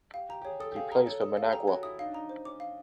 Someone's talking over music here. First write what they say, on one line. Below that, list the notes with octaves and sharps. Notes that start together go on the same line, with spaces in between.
He plays for Managua.
G4 F5
G4 A#5
G4
G#4 C#5
A4 D#6
G4
G#4 F5
G#4 A#5
A4 C#5
D#6
A4 F5
G#4
G4 A#5
F#4 C#5
E4 D#6
D#4 F5
D4
D#4 A#5
C5
C#4 D6
F5